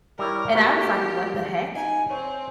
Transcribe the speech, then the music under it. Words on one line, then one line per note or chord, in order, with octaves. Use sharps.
and I was like, "What the heck?"
G3 E4 A#4 C#5
A#3 F#4 G4 C5
D#4 G#5
C4 C#5